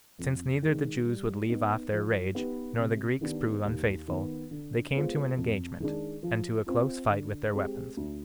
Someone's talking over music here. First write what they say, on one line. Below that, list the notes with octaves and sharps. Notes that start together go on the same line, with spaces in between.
But since neither the Jews would leave off their rage, nor the Greeks prove unfaithful, they came to an engagement, and to a close fight with their weapons.
F2
D#3 G#3
G3
B3 D#4
F3
B3 D#4 G4 B4
C3
D#3 B3 D4 G4
D#2
D#3 B3
D3
G#3 B3 F4 C5
F2
D#3 G#3 D4
F3
C4 F4
D3
G#3 C4 G4
D2